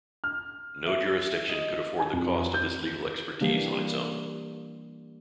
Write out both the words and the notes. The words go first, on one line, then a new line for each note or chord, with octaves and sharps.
No jurisdiction could afford the cost of this legal expertise on its own.
F6
E5
D#5
G#5
F2
G6
E3 G3 A#3 D4